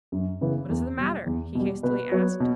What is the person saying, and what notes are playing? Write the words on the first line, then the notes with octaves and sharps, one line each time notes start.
"What is the matter?" he hastily asked.
F#2
C#3 E3 B3
E2
B2 G3
E2
B2 G3
B2 B4
F#3 B3 C#5
B2